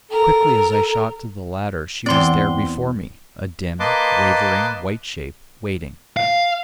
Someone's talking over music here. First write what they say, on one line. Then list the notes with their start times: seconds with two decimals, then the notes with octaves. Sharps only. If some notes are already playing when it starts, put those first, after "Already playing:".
Quickly as I shot to the ladder she was there before me, a dim, wavering white shape, waiting.
0.10 A4 A#4
2.06 E2 C4 D5 C6
3.80 A#3 B4 D#5 A5 C6 D6
6.17 F5